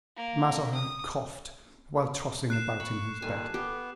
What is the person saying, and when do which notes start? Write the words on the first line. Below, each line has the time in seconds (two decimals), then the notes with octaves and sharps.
Mazarin coughed while tossing about in his bed.
0.16 A#3
0.74 D#6
2.50 F#6 C7 E7
2.80 B5 C#6
3.22 A#2 D#3 G3 A4 G#5
3.54 B3 G4